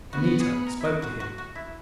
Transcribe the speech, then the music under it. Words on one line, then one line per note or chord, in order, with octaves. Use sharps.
Anita spoke to him.
B3 F#4
G#4
A#4
E4 F#4
F#4
F#4
F#4
E4